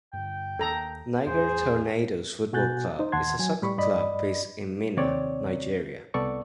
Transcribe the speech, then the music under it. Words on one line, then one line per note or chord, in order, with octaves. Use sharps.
Niger Tornadoes Football Club is a soccer club based in Minna, Nigeria.
G2 D3 G5
D#2 A#3 A4 A#5
E2 A2 G#4 C5
B2 F#4 G#5 F#6 G6 A6
D#4 C5
D#2 F#5 A5 C6 G#6
F#3 G#5
A2 G3 B5 C#6
G2 D5 D#5 B5
D#2 C3 C4 C#5 D5
C2 B3 A4 D5 C#6